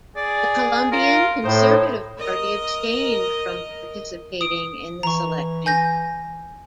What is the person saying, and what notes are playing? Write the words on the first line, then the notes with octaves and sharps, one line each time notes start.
The Colombian Conservative Party abstained from participating in this election.
G#4 D5
F4 A#4
A2 D#4 C5
A#4 D#5
D#6 D7
E3 A#5 C#6
G#5 G6 A#6